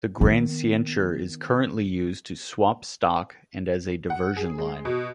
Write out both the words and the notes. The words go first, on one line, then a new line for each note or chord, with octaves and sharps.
The Grande Ceinture is currently used to swap stock and as a diversion line.
D#3 B3
F#5
G#4
G#3
B2